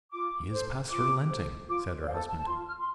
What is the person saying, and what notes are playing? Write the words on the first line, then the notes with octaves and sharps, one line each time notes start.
"He is past relenting," said her husband.
F4 D6
A4 C5
F4 D6
A4 C5
F4 D6
D5
A4 C5 F5
A5
A5
F4 C6
F6
C6